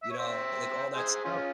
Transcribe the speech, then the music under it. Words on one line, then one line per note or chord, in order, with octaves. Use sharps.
you know, like, all that stuff?
E5
C#5
C5 E5
G#4 C5
C#4 F4